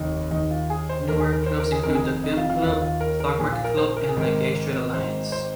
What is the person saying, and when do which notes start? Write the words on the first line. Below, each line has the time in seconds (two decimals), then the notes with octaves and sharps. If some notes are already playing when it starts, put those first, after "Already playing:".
Newer clubs include Film club, Stock Market Club, and the Gay Straight Alliance.
Already playing: F1 D#2 D#3 D#4
0.31 D#2 D#3 D#4
0.51 F4
0.70 G#4
0.89 C5
1.08 D#2 D#3 A#4
1.20 G#4
1.33 A#4
1.46 C5
1.60 A#4
1.72 G#4
1.83 F1 F2 C3 D#3 A#4
1.95 G#4
2.24 D#4
2.37 F4
2.50 F4
2.62 D#2 D#3 F4
2.82 F4
3.01 A#4
3.20 A#4
3.39 A#1 A#2 G#4
3.52 F4
3.64 A#4
3.77 C5
3.97 A#4
4.09 G#4
4.16 G#1 G#2 D#3 A#4
4.94 G#1 G#2 D#3 C5
5.32 C5